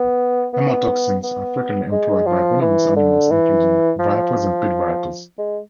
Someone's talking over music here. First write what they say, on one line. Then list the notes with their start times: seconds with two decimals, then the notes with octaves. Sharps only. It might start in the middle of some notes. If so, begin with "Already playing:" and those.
Hemotoxins are frequently employed by venomous animals, including vipers and pit vipers.
Already playing: B3
0.54 B3
1.23 B3
1.92 G#3
2.27 F3
2.61 E3
2.96 D3
3.31 E3
4.00 F3
5.38 G#3